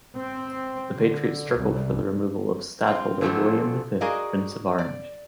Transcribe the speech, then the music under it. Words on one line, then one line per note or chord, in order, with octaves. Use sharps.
The Patriots struggled for the removal of stadtholder William the Fifth, Prince of Orange.
C4
D3
C2
C4 F4
A#2 D3 F3 A3 B3 C4
F#4 G#4 A#4 D5 D#5 F5
D5